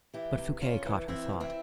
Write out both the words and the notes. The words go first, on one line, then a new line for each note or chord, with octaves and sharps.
But Fouquet caught her thought.
E3 E4 G4
C3
C3 C#4 F4
E3
E3 C4 E4
C3
C4 E4